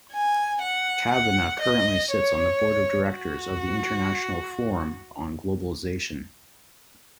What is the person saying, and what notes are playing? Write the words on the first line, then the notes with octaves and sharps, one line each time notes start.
Cavanagh currently sits on the board of directors of the International Forum on Globalization.
G#5
F#5
F#5
D#5
C#5
F#4